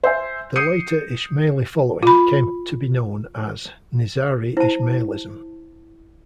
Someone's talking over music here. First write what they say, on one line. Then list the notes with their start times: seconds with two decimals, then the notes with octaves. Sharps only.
The later Ismaili following came to be known as "Nizari Ismailism".
0.04 C5 E5 G#5
0.56 D#6 G6 C7 C#7 D#7
2.03 F4 B5
4.57 E4 C5 A5